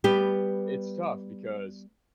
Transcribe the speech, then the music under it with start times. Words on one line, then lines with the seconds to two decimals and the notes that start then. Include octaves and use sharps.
it's tough because,
0.04 G3 B3 G4